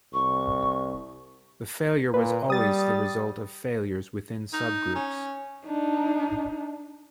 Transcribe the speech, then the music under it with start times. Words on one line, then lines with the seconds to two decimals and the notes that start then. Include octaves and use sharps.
The failure was always the result of failures within subgroups.
0.13 C2 C#6
2.14 A#2 B4
2.50 G3 D#6 A6
4.53 D#4
4.95 C#4
5.65 D4 D#4